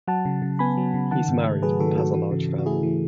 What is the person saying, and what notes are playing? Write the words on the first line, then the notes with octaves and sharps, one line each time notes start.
He is married and has a large family.
F#3 F#5 A5
C#3
C#3
B3 G#5 B5
F#3
C#3
D#3 F#5 A5
G#2
A3
F#3 G#4 B4
D#3 F#4 A4
G#2 F#4 A4
E3
C#3
C#3
F#4
A3 E4 G#4
E3